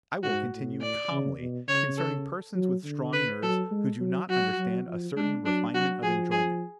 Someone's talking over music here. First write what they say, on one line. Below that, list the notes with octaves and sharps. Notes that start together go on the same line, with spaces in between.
I will continue calmly concerning persons with strong nerves who do not understand a certain refinement of enjoyment.
G#2 F#4
A2
D5
C#3
B2
C#3 C#5
A4
F#3
D3
B4
F#3 A4
G#3
F#3
F#3 F#4
F#3
F3
G#3 D4
F#3 D4
F#3 F#4
F3 G#4
G#4